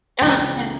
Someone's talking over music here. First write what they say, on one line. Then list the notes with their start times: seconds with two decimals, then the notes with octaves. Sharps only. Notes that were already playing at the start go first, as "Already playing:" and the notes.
Oh, yeah.
0.21 C#2 C#3 E3 G5
0.29 A#5
0.37 G5